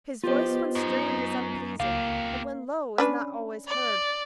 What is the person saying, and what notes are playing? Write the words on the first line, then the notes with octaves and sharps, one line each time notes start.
His voice when strained is unpleasing, and when low is not always heard.
B3 F4 G4 B4 C5 D#5
F#2 D#4
C#2 A#3 F4 G4 F5
C#4 D4 B4
D5